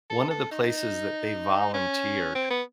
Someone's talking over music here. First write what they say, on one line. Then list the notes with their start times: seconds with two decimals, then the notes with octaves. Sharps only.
one of the places that they volunteered
0.10 A4
0.31 A4
0.51 D#4
1.74 C#4
2.35 C4
2.50 B3